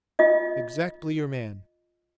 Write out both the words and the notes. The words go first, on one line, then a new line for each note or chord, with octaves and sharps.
"Exactly your man."
F4 D#5